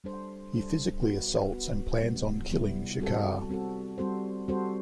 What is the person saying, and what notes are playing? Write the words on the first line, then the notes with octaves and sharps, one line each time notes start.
He physically assaults and plans on killing Shekar.
G3 D4 A4 C5
G3 D4 A4 C5
B3 F#4 B4
B3 F#4 B4
C3 G3 B3 E4
C3 G3 B3 E4
G3 C4 F#4 A4
G3 C4 F#4 A4
G3 C4 F#4 A4 C5
G3 C4 F#4 A4 C5